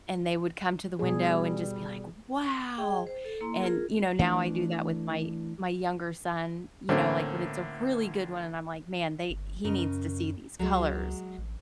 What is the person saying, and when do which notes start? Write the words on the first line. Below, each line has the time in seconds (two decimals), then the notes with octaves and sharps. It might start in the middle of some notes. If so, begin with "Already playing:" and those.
and they would come to the window and just be like, "Wow!" and, you know, now I do that with my my younger son, you know, like, when it's a really good one and I'm like, "Man, they he needs to see these colors."
0.99 B2 G3 G#4
2.78 G#4 D#5 G5
3.07 C5
3.25 A4
3.41 A#3 E4 A#5 C6
3.60 F4 G#4 A#4
4.19 E3 A3 C#4 D4
6.89 A2 D3 A#3 C4 C#4
9.30 G1
9.64 F#2 C#3 A#4 D#5
10.59 C#2 F#3 G#3
11.38 A1